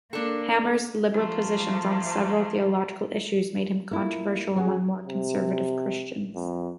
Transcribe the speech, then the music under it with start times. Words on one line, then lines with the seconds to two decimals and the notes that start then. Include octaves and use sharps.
Hammar's liberal positions on several theological issues made him controversial among more conservative Christians.
0.13 A#3 D4 A4
1.11 F3 A3 A#3
3.91 A3 A#3 E4 F4
4.56 F#3 C#4 F#4 G#4 C#5
5.07 C3
6.35 F2